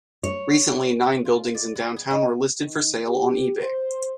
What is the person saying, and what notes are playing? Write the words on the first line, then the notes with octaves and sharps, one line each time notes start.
Recently, nine buildings in downtown were listed for sale on eBay.
C#5
F4
D5
B3
G#4
D#4
D#3
G4
C5